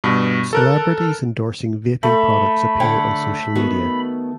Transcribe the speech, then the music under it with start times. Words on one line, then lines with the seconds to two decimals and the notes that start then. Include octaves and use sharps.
Celebrities endorsing vaping products appear on social media.
0.04 G2 B2
0.53 A4 A#4 F#6
2.03 A3 B5
2.80 D3 C#5 G5
3.55 D#3 B3 F#4